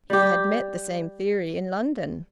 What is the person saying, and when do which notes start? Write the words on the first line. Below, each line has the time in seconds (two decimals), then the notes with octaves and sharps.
He had met the same theory in London.
0.10 G3 G4